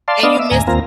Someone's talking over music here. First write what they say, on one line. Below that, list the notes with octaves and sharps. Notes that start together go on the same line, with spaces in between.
and you miss
D5 F5 A5 C6
B3 D4 D5 D#5 F5
E5
D2 A2 G#5 A#5
D#2 A#3 C4 F4 A#5